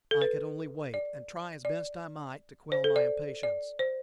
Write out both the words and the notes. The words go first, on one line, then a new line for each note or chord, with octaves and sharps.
I could only wait, and try as best I might to quell my impatience.
A4
B4
D5
D5
C5
A4
D5
D5
C5